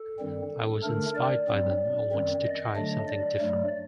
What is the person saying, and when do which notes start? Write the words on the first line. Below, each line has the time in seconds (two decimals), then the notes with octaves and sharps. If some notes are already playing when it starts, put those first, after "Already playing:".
I was inspired by them and wanted to try something different.
Already playing: A4
0.19 G2 D#3 G3 C4
0.83 D3 A3 D4 A#4
1.15 D5
1.47 G2 F#3 C4
2.12 F#2 D#3 G3 C4
2.44 D#5
2.76 D3 F#3 A3 D4
3.08 D5
3.40 G2 F#3 A3